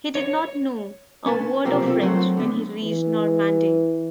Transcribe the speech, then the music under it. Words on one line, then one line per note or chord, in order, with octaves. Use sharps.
He did not know a word of French when he reached Normandy.
C#5
C#4 B4 G#5 A5
B1 C3 F3 A#3 C4 G4
C4 F4 A4
F#3 A3 C4 C5 D#5 F#5
D3 B3
E3